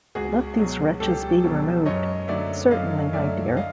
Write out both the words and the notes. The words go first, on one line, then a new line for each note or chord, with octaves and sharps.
'Let these wretches be removed.’ ‘Certainly, my dear'.
C#2 F#4 G#4
B2 F#3
C#2 G4 A4
B2 F#3
F#2 C#5 D#5
D3 F#3 A3 D5 E5
F#2 D#5 F5
D3 F#3 A3 D5 E5
D#5 F5